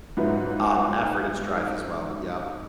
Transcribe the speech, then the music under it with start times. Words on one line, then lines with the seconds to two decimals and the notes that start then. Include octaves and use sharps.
um, effort and strife as well. Yep.
0.17 G#2 F#3 B3 E4 F4